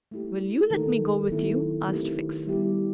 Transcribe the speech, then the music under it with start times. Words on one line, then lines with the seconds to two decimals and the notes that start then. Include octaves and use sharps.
"Will you let me go with you?" asked Fix.
0.11 A3 E4 G4
0.70 D#3 A3 D#4 A4
1.29 D#3 F#3 B3 E4 A4
1.88 D#3 A3 C4 E4 G4
2.46 G3 B3 E4 G4